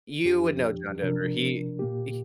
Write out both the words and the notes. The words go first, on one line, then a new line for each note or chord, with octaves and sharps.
You would know John Denver. He h
F2 F3 D4 G4
C3 F3 D4 A#4
A#2 A#3 G4